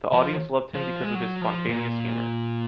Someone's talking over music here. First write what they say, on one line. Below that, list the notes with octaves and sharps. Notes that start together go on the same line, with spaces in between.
The audience loved him because of his spontaneous humor.
F3
F3
G#3
F#3
F3
A#2